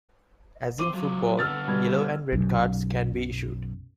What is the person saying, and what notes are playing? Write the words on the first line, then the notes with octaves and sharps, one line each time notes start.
As in football, yellow and red cards can be issued.
C4 C5 D6 D#7
F#3 F4
D3 B3 E6 F6 A6
B2 G3 G#6
B1 F#2